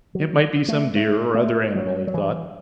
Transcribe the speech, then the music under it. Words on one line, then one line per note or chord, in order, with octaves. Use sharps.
It might be some deer or other animal, he thought.
F#3
A3
A3
A3
F#3
F#3
E3